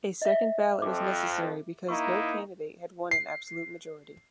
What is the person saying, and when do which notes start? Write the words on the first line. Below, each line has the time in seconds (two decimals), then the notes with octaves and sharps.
A second ballot was necessary because no candidate had won an absolute majority.
0.22 D#5 E5
0.82 F2 D6
1.88 A#3 D#4 E4 C#6
3.11 C7